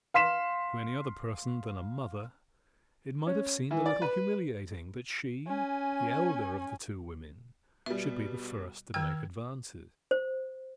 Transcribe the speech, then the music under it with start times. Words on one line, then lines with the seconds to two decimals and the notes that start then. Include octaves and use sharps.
To any other person than a mother it might have seemed a little humiliating that she, the elder of the two women, should be the first to make advances.
0.14 F5 C6 B6 E7
3.27 C#4
3.71 E3
3.86 D5
4.02 B4
5.47 C#4 G#5
7.86 B2 G3 E5
8.94 D#3 G5 E6 F6 G#6
10.11 C5